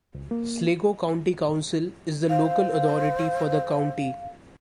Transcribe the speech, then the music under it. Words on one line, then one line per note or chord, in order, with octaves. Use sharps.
Sligo County Council is the local authority for the county.
C#2
A#3
C5 F5